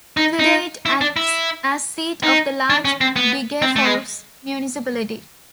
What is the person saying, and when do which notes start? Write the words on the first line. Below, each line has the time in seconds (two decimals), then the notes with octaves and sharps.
Today it acts as seat of the larger Degerfors Municipality.
0.17 D#4
0.39 D#4
0.86 E4
1.01 D4
1.16 E4
2.23 D#4
2.70 D4
2.85 C#4
3.01 C4
3.16 B3
3.62 C4
3.76 A3
3.85 G#3